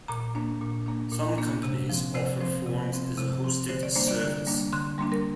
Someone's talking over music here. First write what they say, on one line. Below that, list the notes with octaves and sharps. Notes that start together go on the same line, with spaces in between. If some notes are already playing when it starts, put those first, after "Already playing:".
Some companies offer forms as a hosted service.
A#2 A#5
A#3 D4
A#2
A#3 D4
A#2
A#3 D4
C3
F3 C4
C3 C5
F3 C4 C5
C3
F3 C4
C3
F3 C4
D3 C5
D5
G3 A#3 D4 C5
D5
D3 D5
G3 A#3 D4
D3 C6
G3 A#3 D4 C6
A#4